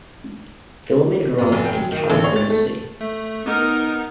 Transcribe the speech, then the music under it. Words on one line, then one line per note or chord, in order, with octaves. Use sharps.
Filemon grew up in Caloocan City.
F#2
F1
G5
F#3
D#3
A1
C#5
A6
A3
A3
B3 D#4 A#4 D#5